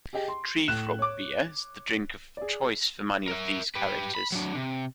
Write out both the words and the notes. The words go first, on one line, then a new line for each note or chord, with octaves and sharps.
"Tree Frog Beer" is the drink of choice for many of these characters.
G4 G#4 D#5 G5
C6
A2 F#6 E7
C#5 D6
G#4 D5
A#4 E5
G4 B4
B5
F#3 D4
C3